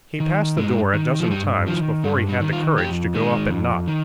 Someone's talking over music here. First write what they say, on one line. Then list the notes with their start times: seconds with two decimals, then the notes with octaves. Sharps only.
He passed the door a dozen times before he had the courage to go up and knock.
0.20 D#3
0.57 G2 G#3
0.94 D#3
1.20 F3
1.31 G2 G3
1.67 D#3 F3
2.04 G2 G3
2.29 G3
2.41 D#3
2.53 F4
2.77 F2 G4
3.14 D#3 G#3
3.51 F2
3.88 D#3